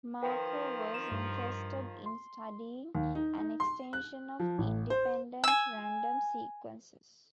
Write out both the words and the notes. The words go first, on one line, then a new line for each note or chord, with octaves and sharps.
Markov was interested in studying an extension of independent random sequences.
D#3 F3 B4 G5
E7
G2
C6
D#2
D#4
D#4
C6
F#6
F3
A1
C5
G#5 E6